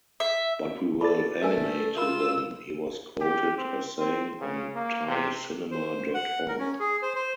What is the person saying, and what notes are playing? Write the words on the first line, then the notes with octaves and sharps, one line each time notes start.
But we will animate them, he was quoted as saying on ThaiCinema dot org.
E5
A4 D5 B5 A6
A3 A#4 B4 E5 G#5
F4 A#4 B5 E6
G4
C4
C4
C#3
A#3
C3
C5
F#5
A#4
C#4
G#4
C5
C5